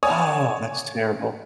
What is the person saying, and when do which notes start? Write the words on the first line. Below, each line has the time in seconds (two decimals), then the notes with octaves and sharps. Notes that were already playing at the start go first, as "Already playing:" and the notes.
Oh, that's terrible.
0.03 C#5 D5 G#5 D#6